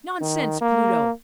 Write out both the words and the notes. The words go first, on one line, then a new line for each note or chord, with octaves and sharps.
Nonsense, Pluto!
D#3
A#3